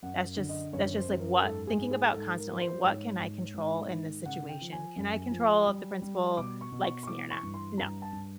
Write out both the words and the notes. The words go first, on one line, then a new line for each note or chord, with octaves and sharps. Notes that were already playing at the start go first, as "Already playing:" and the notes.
that's just that's just like, what thinking about constantly, "What can I control in this situation? Can I control if the principal likes me or not? No.
F#2 F#5
D3
D#5
F#2 C#5
C5
F#2
A#4
G#2 A4
G#4
G#2
G#4
G#2 A4
A#4
F3
C5
G#2 C#5
G#2
G#2
D#3
C#3 F#5
G5
F3
G#5
F#2
F3
G3
G3
B2 D6
C#6
B2
C#6
C#6
E3 D6
C#6
G2
C6
G2 A#5
A5
G2